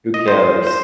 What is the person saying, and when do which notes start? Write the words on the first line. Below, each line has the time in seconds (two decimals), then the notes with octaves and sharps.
Who cares?
0.14 D#5
0.28 F#2 D#3 C5
0.67 C5